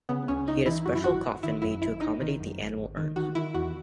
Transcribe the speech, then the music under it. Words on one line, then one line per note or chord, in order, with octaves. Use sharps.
He had a special coffin made to accommodate the animal urns.
C#3 B3
C#2 C#4
C#2 D#4
E3 E4
F#2 F#4
E4
G#1 F#4
G#1
D#3 E4
F#2 E4
G#1 E4
G#1 D#4
D#3
F#2
G#1
G#1
D#3
D#3 F#4
D#3 E4
E2 F#4